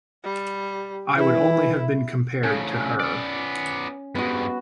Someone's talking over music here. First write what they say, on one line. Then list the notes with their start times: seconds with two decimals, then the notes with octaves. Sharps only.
I would only have been compared to her.
0.23 G3
1.17 E3 E4
2.44 A2 C#3 C#4
3.00 B3 D5
4.15 G2 G#3 B3 F#4